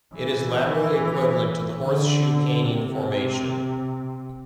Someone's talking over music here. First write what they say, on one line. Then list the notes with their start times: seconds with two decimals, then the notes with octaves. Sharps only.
It is laterally equivalent to the Horseshoe Canyon Formation.
0.15 E3
1.81 D3
2.63 C3